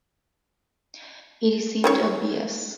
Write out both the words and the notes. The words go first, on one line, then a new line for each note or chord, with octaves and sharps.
He received a B.s.
D#3 C#4 C#5